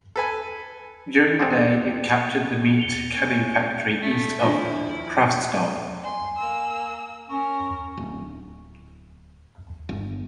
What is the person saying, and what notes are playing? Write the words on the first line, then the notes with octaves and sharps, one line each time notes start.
During the day it captured the meat canning factory east of Kravtsov.
A4 B4 G#5
D3 G#3 A#3 C4
C#7 F7 G7
C#4
A3
D#3 F3 D4 E4 F4
F#4
G#5 C6
A#3 E6
C#4 A#4 C#6
D1
G1